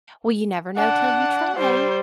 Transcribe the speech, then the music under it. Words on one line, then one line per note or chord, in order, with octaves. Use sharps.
"Well, you never know till you try."
D4 F#5
G3 C5